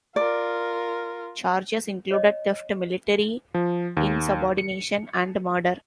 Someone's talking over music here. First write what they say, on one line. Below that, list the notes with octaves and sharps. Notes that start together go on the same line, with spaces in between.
Charges included theft, military insubordination, and murder.
F4 A#4 D5
C#5 D#5
F3
D#2
C#7